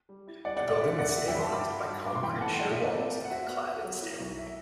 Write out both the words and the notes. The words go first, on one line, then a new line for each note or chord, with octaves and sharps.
The building is stabilised by concrete shear walls and clad in steel.
G3
E4
G3 D5 F#5
D5 F#5
B2
D5
D4 E5
E2 D5 F#5
F#4 E5
E5 G5
G2 B5
A5 C6
G2 B5 D6
F#4
G2
G2 D6
C6
E3 G5 B5
A3 F#5 A5
F#3 D5 F#5
E5
A3
D5
C4
C4
F#5
F#4 E5
B3
F#4
F#3
E4
B1
E5